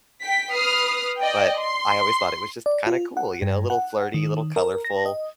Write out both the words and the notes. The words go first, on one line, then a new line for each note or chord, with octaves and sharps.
but I always thought it was just kinda cool, you know, a little flirty, a little colorful,
G5 B6
B4 D#6 F6 C7
D5 D#5 G5
C6
D5
F4
F#5
G2
F#5
D#3
A#4
A#6
D#5